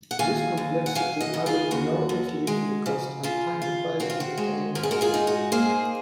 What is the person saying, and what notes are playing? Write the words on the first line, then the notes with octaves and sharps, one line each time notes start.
This complexity added enormously to the cost and time required to maintain the missiles.
F#5
D#2 F5 G#5
D#2
F#5
F#3 F5 G#5
D#5 F#5
C#3
F4 G#4
D#2 F#4
D#2
G#3
C#3
C#3 F4
F4
C4 F#4
F4
F#4
G#3
G#2 A#4
G#4
F#4 A#4
F4 G#4
D#4
F#4
A#3 G#4 C5